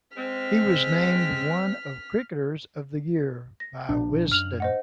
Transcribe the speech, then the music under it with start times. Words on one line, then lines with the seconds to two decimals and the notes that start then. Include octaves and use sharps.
He was named one of Cricketers of the Year by "Wisden".
0.17 G#3 C4 F6 B6
3.60 A#6
3.89 A#1 A#2 F3 D4
4.32 F#2 F6 F7 F#7
4.60 C5 D#5 F#5